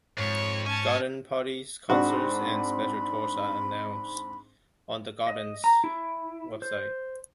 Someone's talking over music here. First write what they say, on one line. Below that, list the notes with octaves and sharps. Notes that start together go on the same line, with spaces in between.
Garden parties, concerts, and special tours are announced on the garden's website.
F2 G#2 C#5
C#4 A5 G#6
G#2 C4 D4 F#4 B5
D#5
A#5
E4
C5